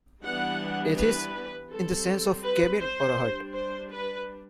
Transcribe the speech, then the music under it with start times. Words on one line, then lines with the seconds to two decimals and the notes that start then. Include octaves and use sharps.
"Athis" in the sense of "cabin or hut".
0.23 E3 G3 B3 D4 F#5
0.97 B4
1.71 G3 C4 A4
2.44 B4
2.81 C5
3.18 G3 D4
3.54 C5
3.92 B4